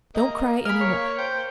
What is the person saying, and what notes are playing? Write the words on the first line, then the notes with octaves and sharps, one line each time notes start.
Don't cry any more.
A#3 D#5 A#5
G#4 A#4 B5 F6
C#5
C5 G5